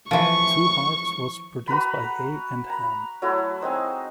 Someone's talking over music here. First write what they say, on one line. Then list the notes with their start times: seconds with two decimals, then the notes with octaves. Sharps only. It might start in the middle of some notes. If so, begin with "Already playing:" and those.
"Two Hearts" was produced by Hay and Ham.
0.11 E3 F3 C#6
1.67 F#4 B4 A#5 B5
2.70 A#5 B5
3.22 F#3 A3 E4 F#4
3.61 G#3 C4 D#4 C5